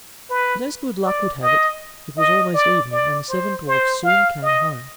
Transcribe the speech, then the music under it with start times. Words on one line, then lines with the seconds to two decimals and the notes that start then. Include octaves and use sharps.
But as good luck would have it, it was almost evening, and the seven dwarfs soon came home.
0.30 B4
1.04 D5
1.42 D#5
2.18 D#5
2.54 D5
2.92 D5
3.29 C5
3.68 C5
4.04 F5
4.43 D#5